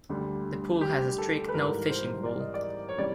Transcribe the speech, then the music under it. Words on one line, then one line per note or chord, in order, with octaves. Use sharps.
The pool has a strict no fishing rule.
D2 D3 G3
G4
A4
B4
G#1 G#2 E3 G3 A#4
C5
D5
D#5
D5
C#5
C3 E3 G3 D5